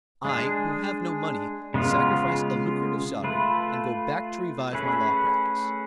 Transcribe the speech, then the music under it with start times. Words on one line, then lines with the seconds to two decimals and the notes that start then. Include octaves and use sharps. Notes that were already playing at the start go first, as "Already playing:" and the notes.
I, who have no money, sacrifice a lucrative salary, and go back to revive my law practice.
0.25 G#3 D4 G#4
1.74 C#3 G#3 B3 F4
3.24 A3 F4 B4
4.73 A3 C#4 G#4 B4